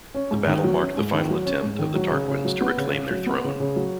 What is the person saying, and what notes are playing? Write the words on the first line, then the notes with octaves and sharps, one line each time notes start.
The battle marked the final attempt of the Tarquins to reclaim their throne.
C#4
G#2
D#3
F#3
C#4
G#2
D#3
F#3
C#4
G#2
D#3
F#3
C#3
C#3
F#3
B3
C#3
C#3
F#3
B3
C#3
C#3
F#3